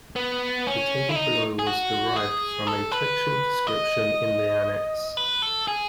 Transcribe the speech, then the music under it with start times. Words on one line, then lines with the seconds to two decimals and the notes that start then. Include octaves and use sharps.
The table below was derived from a textual description in the annex.
0.16 B3
0.67 C#4
1.09 E4
1.16 D#4
1.59 G#4
1.67 F#4
2.16 G#4
2.67 A4
2.92 B4
3.67 D#5
5.17 B4
5.42 A4
5.68 G#4